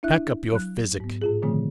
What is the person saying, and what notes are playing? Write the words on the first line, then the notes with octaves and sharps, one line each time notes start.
Pack up your physic.
D4 E4 E5 F#6
F#3 F#6
G#2 B3
A2 F4 G#4
A#2 D3 D#3 F3 A3 C4